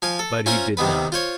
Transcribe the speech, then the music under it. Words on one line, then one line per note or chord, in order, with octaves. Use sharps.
But he did not.
F3 F5 G#5
A4
C#4 F4 C5 E5 G#5 A#5
C3 D#3 B3 B4
F4 C5 C#5